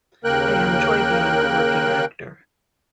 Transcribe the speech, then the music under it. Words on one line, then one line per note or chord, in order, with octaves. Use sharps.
I enjoy being a working actor.
D#2 C#3 A#3 A#4 G5 F#6